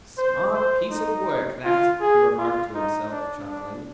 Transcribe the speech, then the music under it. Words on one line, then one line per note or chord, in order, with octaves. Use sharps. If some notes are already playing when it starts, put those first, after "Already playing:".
'Smart piece of work that!' he remarked to himself chuckling.
C5
C5
D#4
F4
G#4
F4
D#4
D4
D4